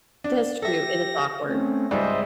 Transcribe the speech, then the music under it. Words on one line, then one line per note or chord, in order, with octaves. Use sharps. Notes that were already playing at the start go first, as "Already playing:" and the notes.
That's true, it is awkward.
D4
G4 A4 E5 A#6
A3 C4 C#4
C#2 G#2 G3 C5 D#5 E5